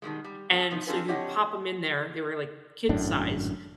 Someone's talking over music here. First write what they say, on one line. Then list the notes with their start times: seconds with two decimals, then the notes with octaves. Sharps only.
and so you would pop 'em in there- they were, like, kid size-
0.02 B2 D#3 G3 G#3
0.24 G3
0.50 B3 C#4 A4
0.70 A2 C3 F3 B3 D#4
0.87 C4 D4 F4 G#4 A4 B4
1.08 C4 D4 G4 C#5 D#5 F#5
2.89 G#1 F#2 A2 D4